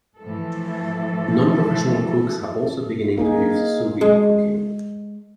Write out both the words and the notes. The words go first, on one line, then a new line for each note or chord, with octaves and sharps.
Non-professional cooks are also beginning to use sous-vide cooking.
A2 E3 F3 A4
A#3 D#4 G#4
G#3